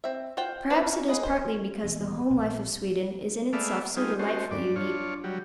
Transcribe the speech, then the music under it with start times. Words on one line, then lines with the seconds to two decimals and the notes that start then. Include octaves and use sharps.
Perhaps it is partly because the home-life of Sweden is in itself so delightfully unique.
0.04 C4 E5
0.37 F4 C5 F#5 G5
0.70 A#3 C4 C#4 B4 D5
1.08 A#3 G#4 B4 D#5
1.23 C5
1.84 D#1 E3 A3 B3
2.30 A#1
3.53 G#3 A3 B3 D5 E5 F5
3.97 G3 D#4 F4 G#4
4.19 A3 C#4 F#4 C5
4.51 G2 D5
4.76 D4 F4 C#5
5.24 F#3 G3